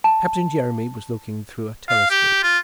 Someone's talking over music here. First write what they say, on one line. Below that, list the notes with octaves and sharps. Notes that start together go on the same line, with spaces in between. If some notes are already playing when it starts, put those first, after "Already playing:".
Captain Jeremy was looking through a telescope.
A5
F5
G4
F4